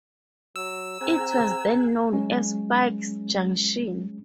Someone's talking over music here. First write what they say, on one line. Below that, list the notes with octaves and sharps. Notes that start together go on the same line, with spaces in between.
It was then known as Pike's Junction.
F#3 E6
C4 G#4 F#5 G#5 A#5
F#3 G#3 C#4